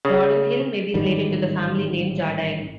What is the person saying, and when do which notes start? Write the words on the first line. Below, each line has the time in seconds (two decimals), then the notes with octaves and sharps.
Jordanhill may be related to the family name "Jardine".
0.05 C#3
0.94 A1 G#2 D#3 G3